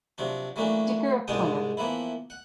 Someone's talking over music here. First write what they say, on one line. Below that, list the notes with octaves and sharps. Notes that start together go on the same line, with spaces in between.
Dicker of Plymouth.
C3 F3 F#3 D4
E3 F#3 A3 A#3 C#4 D4
C2 G#2 G#3 D4 G5 D#6
E3 F3 A#3 B3 E4
F#5